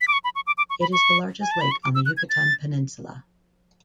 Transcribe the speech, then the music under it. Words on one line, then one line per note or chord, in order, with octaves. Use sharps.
It is the largest lake on the Yucatan Peninsula.
B6
D6
C#6
B5
C#6
D6
D6
C#6
B5
C#6
G#5
A5
B5
C#6
D6
E6
F#6
G#6
A6